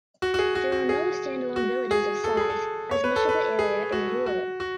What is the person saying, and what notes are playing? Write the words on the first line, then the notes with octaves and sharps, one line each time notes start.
There are no standalone villages of size as much of the area is rural.
F#4
F#4
G#4
F#4
F#4
G#4
F#4
G#4
A4
G#4
A4
C#5
B4
A4
B4
G#4
F#4
F#4
F#4